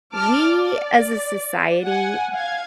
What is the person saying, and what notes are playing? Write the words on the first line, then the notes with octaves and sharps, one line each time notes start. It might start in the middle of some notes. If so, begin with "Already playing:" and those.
we, as a society,
A5 D6 F6
D5
F#5 G#5
F5 G#6